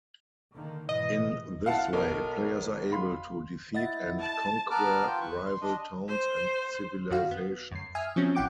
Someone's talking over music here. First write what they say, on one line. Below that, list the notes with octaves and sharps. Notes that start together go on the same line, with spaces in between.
In this way, players are able to defeat and conquer rival towns and civilizations.
D3 D#3 A#3
G#2 B2 E3 D#5
E4 F5 F#5 A5
B1 A4 A#4 A#5
F5 B5 C6
E4 D#5 F#5 A6
A5
B3 A#4 B4 A5 D6 F6
F4 G5
B4 C#6
C6
D4 D#5
C5
F#2 D#3 F#4 F5
B3
F#2 C7
E5 G#5 D#6 F6
F3 F#3 C4 C#4
A1 E3 F#5 G5 D6 D7